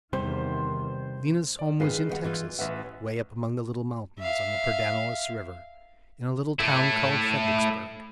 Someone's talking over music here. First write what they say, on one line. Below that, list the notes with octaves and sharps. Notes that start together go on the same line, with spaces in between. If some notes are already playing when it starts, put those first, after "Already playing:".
Lena's home was in Texas, away up among the little mountains on the Pedernales River, in a little town called Fredericksburg.
E2 C3 D#3 G3 C5
D5
D#3 G#3 C4 F4 B4 C7
D#3 C5 F#5
E3 F4
A1 B4 E5 F#5
E5 F5
A3 E4